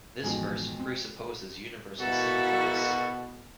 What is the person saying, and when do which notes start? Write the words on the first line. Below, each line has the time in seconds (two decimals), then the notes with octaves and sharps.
This verse presupposes universal sinfulness.
0.24 A1 F2 B2 D#3 G#3
0.79 C4
2.00 B2 A#3 E4 F#4 A4